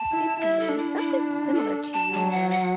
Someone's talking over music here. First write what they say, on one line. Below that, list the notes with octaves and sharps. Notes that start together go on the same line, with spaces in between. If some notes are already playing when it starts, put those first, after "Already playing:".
to be something similar to yours,
Already playing: A5
E4
E4 E5
A4
D4
E4
E4
A4
A5
F#3 A5
F#5
F#5